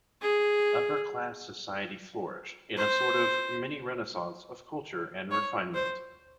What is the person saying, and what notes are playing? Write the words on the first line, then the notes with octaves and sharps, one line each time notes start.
Upper class society flourished in a sort of mini-Renaissance of culture and refinement.
G#4
C5
C#5
C5